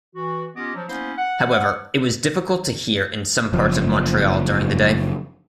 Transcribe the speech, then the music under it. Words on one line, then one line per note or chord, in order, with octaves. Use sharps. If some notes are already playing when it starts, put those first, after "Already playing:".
However, it was difficult to hear in some parts of Montreal during the day.
E3 F#4
B3 C#4 F4 G4 D#5 D6
F3 F#3
A#3 B3 C#4 E4 C5
F#5
F#1 F3